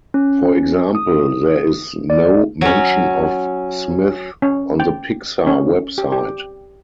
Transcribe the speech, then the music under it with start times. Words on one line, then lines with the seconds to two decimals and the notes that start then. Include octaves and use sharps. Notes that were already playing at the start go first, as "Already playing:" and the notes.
For example, there is no mention of Smith on the Pixar website.
0.14 C#4
0.95 D#6
2.10 D5
2.61 F#3 C#4
4.42 C#4
4.80 G5
5.47 C#4
5.98 G4
6.12 G4